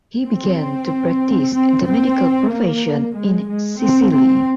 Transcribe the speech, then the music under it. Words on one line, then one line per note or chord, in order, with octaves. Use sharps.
He began to practise the medical profession in Sicily.
C4
C4
C4
A#3
G#3
G#3
C4
C4